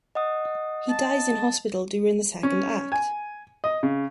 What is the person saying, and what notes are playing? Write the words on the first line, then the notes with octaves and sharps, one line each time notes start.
He dies in hospital during the second act.
D#5 F#5 D#6
A5
C#4
G#5
D#5
C#3